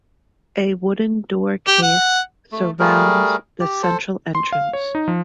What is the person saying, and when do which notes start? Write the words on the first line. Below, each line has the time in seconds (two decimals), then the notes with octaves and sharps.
A wooden door case surrounds the central entrance.
1.67 G4
1.83 F#5
2.52 A3
2.79 G3 A3 G#4 A#4
3.60 G4
3.83 A4 C5
4.35 C6
4.53 F5
4.73 C#5
4.95 D#4
5.08 F3